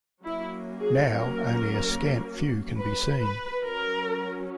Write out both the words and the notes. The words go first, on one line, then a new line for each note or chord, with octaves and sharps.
Now, only a scant few can be seen.
F#3 A#3 C#4 E4
G#4
A#4
B4
B4
F#3 C#4 A#4